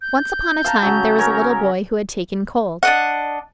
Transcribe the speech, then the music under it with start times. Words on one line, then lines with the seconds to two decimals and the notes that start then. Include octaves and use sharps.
Once upon a time there was a little boy who had taken cold.
0.01 G6
0.64 F5 A5 A#5
0.82 C#3 F#3
1.19 C#4 A#4 C#5
2.83 D4 D#5 F#5